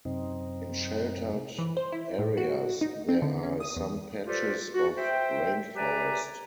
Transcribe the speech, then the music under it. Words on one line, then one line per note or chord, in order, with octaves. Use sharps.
In sheltered areas there are some patches of rainforest.
F#2 C3 C4 D#4
E3
C5
E4
A2
F#4
D#4
C4
D3
C#4
D#6
E2
F4 G4 A4 B4 C5 D5
F#4
C5 E5 G5
G4 B4 D5 E5 G#5 A#5